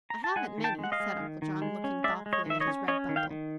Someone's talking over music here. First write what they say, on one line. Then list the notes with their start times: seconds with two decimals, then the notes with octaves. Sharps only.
"I haven't many," said Uncle John, looking thoughtfully at his red bundle.
0.10 A#5
0.24 A5
0.36 G#3 F#5 G#5
0.58 D#3
0.64 G5 A5
0.79 G#3 F#5
0.92 D#5 F5
1.00 G#3
1.20 D#3
1.42 D#3
1.62 G#3
1.84 C#4
2.04 G#3 D5 E5
2.26 G#3
2.33 C#5 D#5
2.46 D#3 E5
2.60 C#5 D#5
2.68 C#4
2.88 C#4 C#5 D#5
3.09 D#3
3.16 F5 G5
3.31 D#3